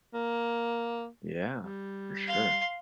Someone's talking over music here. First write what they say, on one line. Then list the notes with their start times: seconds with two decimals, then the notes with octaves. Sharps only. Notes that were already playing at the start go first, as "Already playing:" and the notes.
Yeah. For sure.
0.14 A#3
1.56 G3
2.27 F5 C6